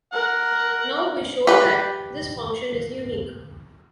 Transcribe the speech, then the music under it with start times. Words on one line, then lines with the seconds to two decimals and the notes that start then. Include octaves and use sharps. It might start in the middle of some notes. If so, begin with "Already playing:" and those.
Now we show that this function is unique.
0.13 A#4 F#5
1.47 G4 B4